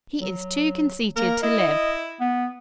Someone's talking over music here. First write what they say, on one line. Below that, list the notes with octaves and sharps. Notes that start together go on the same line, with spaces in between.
"He is too conceited to live."
F#3
A#3 A#4
E4 D#5
B3